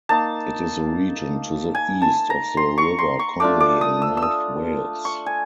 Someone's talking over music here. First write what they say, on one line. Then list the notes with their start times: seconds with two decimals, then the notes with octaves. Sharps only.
It is a region to the east of the River Conwy in north Wales.
0.09 A#3 D#4 A5
1.75 G#5
2.02 A5
2.30 A#5
2.57 C6
2.78 C#6
2.99 C6
3.19 C#6
3.40 A3 D4 F4 D6
3.60 D6
3.81 D#6
4.02 E6
4.17 E6
4.22 D#6
5.05 C#6
5.26 G#5